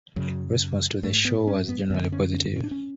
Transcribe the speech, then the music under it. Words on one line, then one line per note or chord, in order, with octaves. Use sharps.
Response to the show was generally positive.
F#2 C#3 F#3
G#2 A3
B3
C#4
B3
F#2 D3 B3
C#4
C#4
C#4
D4
C#4